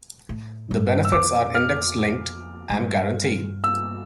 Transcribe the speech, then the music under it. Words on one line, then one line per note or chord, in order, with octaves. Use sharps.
The benefits are index-linked and guaranteed.
A2
G2
E6
F2 D6
F6
A2
G2
E6